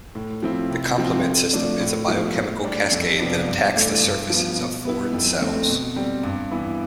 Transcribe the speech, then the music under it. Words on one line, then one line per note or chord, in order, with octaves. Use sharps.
The complement system is a biochemical cascade that attacks the surfaces of foreign cells.
A2
F3 C4 E4
C3
F3 C4
D3
F3 A3 D4
A2
F3 B3 E4
A2
G3 D4
F2
C3 F3 B3 D4
G2
E3 A3 D4
G2
F3 B3
B2
B3 E4
F2
D3 A3 C4
B2
G3 C4
G2
E3 B3 E4